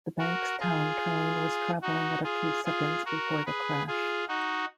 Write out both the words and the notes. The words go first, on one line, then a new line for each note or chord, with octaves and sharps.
The Bankstown train was travelling at a few seconds before the crash.
F#4 A#4
F4 G#4
D#4 F#4
F4 G#4
F4 G#4
F#4 A#4
G#4 B4
F4 G#4
D#4 F#4